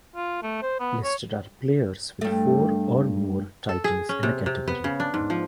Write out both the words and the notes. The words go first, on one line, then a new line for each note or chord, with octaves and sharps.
Listed are players with four or more titles in a category.
F4
A3
C5
B3
C#5
G2 A3
A4
G#4
C#4
C3
C3
B3
C#3
D4
G#2
F3